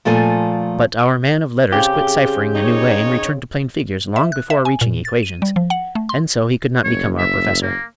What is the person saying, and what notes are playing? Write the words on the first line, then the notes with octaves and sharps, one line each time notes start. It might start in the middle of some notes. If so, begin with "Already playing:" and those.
But our man of "letters" quit cyphering the new way, and returned to plain figures long before reaching equations; and so he could not become our professor.
A#2 F3 A3 A4 G#5
C#3 C4 G4
G5 G#5
C#3 D#4 C#5
E5
F#6
E5
G#5
A#2
A6
D#7
G3
F3
F#5
A3
C6
F#1 C#5
E5
A#3